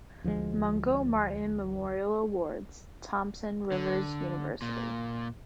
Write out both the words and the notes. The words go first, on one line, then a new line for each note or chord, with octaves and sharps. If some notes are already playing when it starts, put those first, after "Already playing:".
"Mungo Martin-Memorial Awards." "Thompson Rivers University".
D2 F3 F#3 G#3
D3
A#2